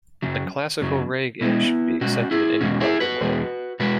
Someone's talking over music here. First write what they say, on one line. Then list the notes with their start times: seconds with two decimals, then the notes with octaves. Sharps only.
A classical reggae should be accepted in any part of the world.
0.22 F#2 C#3 F#3
0.81 F#2 C#3 F#3
1.41 B2 G#3 B3 E4
2.01 B2 G#3 C#4 F#4
2.31 E4 G#4
2.61 E2 B2 G#3 C#4 F#4
2.80 E4 G#4
3.00 F#4 B4
3.21 E2 B2 G#3
3.80 B2 G#3 F#4 B4